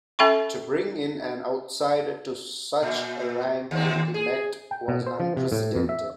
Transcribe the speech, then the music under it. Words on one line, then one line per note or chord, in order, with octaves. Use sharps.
To bring in an outsider to such a rank in the Met was unprecedented.
C#4 A4 E5 G5 B5 C#6
A#2
D#2 C4
G#4
G5
B2
C5
F3
C3
A2
F2
E5